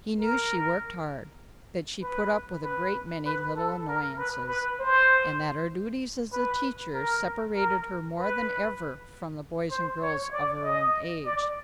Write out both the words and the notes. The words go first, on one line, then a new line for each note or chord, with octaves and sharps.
He knew she worked hard, that she put up with a great many little annoyances, and that her duties as a teacher separated her more than ever from the boys and girls of her own age.
A#4
B4
B4
B4
A4
A#4
B4
B4
C5
B4
A#4
A#4
B4
C5
C#5
D5
D#5
D5